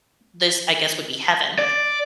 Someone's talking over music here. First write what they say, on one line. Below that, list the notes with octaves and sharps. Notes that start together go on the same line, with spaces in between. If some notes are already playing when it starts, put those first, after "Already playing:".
this, I guess, would be heaven.
D5